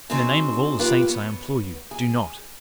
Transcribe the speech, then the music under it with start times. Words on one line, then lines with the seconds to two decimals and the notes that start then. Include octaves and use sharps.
"In the name of all the saints, I implore you, do not."
0.10 F#3 C4 D#4 G#4 C5
0.79 F4 G4 B4 F5 G5
1.02 F#2 B3
1.91 G#4